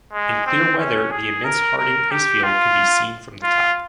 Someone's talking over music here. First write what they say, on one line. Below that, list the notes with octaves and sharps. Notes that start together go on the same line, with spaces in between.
In clear weather the immense Harding Icefield can be seen from the top.
G#3
C4
C#4
G#4
A#4
A#4
G4
F4
F4